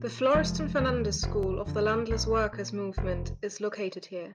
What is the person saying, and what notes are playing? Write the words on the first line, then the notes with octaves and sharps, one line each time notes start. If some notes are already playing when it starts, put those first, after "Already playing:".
The Florestan Fernandes School of the Landless Workers' Movement is located here.
Already playing: A#2
F1 F3 G#3
D#2 D3
F1
F2 D3
B1
A#2
F1